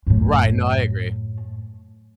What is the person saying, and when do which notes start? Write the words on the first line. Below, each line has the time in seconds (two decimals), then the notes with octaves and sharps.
Right, no I agree.
0.07 F#2 A2